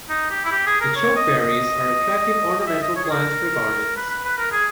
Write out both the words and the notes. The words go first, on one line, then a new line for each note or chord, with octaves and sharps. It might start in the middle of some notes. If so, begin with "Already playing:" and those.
The chokeberries are attractive ornamental plants for gardens.
D#4
G4
E4
G4
G#4
A#4
C#5
D#5
D#5
D#5
E5
D#5
C#5
G#4
A#4
B4
B4
B4
A#4
G#4